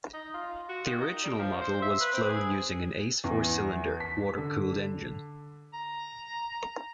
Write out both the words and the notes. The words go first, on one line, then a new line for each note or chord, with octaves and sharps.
The original model was flown using an Ace four cylinder water-cooled engine.
D#4
F4
F#4
D#3
D#4
G3
F3
C5
E5
B4
C4
G#4
E2
B6
D3
A#5